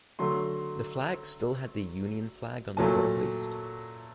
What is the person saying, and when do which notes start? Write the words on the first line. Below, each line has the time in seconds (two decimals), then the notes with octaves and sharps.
The flag still had the Union flag on the quarter-hoist.
0.19 D3 F#3 A3 C6
2.77 A#2 F#3 A3 A5